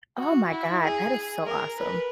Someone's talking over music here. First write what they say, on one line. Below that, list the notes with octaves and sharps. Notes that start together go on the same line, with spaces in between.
Oh my God, that is so awesome.
F#4
E4
G#4
A#4
B4